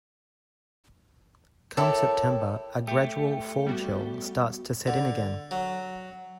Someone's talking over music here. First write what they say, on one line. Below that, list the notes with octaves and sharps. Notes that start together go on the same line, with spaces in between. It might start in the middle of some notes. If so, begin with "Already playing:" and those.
Come September, a gradual fall chill starts to set in again.
E4 G4 A4 A#4 C#5 E5
A3 G4
G3 B3 F#4
D3
F#3